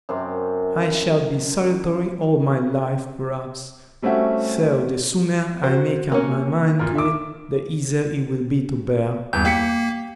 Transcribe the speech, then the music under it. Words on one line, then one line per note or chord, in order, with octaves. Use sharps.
"I shall be solitary all my life, perhaps; so the sooner I make up my mind to it, the easier it will be to bear."
F#2 C3 C6 D6
G3 A3 C4 C#4 F#4 E5
F#4 C5
A#3 C#4
A#2 F4 A#4
E5 D6
E2 G2 G6
A#3 G4 B6 C#7